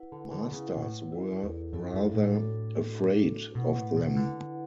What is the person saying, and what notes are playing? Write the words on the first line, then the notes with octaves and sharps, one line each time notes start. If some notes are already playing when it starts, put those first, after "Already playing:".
Masters were rather afraid of them.
Already playing: E4 B4 F#5
D3
D3
C#3 E4 B4 F#5
B2
A2
E4 A4 D5
E2
F#2 E4 A4 D5
F#2
G2
A2
D4 F#4 A4
D4 F#4 A4
B2 E4 B4 F#5
A2
B2
D3 E4 B4 F#5